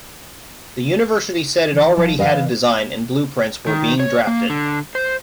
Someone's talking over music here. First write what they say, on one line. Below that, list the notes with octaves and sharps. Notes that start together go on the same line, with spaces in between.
The university said it already had a design, and blueprints were being drafted.
E3
F1 F3
E3 B4 D#5 F5
D#3
C#5
A#3
D3
C5